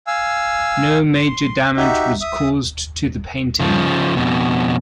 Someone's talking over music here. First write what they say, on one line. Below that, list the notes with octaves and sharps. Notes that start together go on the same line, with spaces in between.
No major damage was caused to the painting.
F5 G#5 E6
C6
D#4 F#4 G4 E5
E5 D#6
C#3 F3
F2 B2